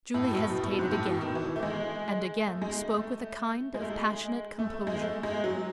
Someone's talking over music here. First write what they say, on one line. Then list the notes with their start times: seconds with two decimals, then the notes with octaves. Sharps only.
Julie hesitated again, and again spoke with a kind of passionate composure.
0.14 A2
0.31 B2
0.36 A2
0.50 B2
0.64 A2
0.79 G#2
0.92 A2
1.07 B2
1.21 D#3
1.35 E3
1.56 A3
1.63 G#3
2.47 A3
2.62 G#3
2.90 A3
3.74 G#3
3.83 A3
3.90 G#3
4.59 A3
4.74 A3
4.87 G#3
5.01 A3
5.23 G#3
5.44 F#3